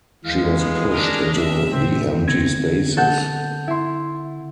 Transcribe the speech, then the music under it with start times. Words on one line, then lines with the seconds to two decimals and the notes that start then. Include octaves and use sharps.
She was pushed into the empty spaces.
0.25 D#2 E3 G#3 F5
0.57 B3
0.90 D4 A#4 D#5
1.35 E5
1.72 F#2 A2 C4
2.28 D3 B3 C4 G#6 A#6 C#7
2.97 A4 F#5 G6
3.68 E4 C6